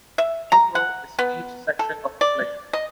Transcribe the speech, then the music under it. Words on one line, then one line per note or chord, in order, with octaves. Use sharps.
One row is in each section of the plane.
E5
A#5
F#5
B3
A4
D5
D#5